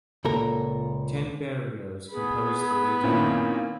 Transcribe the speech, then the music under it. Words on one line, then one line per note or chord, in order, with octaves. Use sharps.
Ten barrios composed the new town.
C#2 A#2 A4 A#4
B3 G#4 B5
A#2 D#3 A#3 C4 C#4 E4